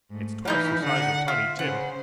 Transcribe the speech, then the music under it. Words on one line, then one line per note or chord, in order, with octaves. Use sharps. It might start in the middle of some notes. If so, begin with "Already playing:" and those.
It's twice the size of Tiny Tim.
G#2 A3
E3 A#3 D#4 E4 G6
D3 F#5
F4 E5
C#3 C5 F#5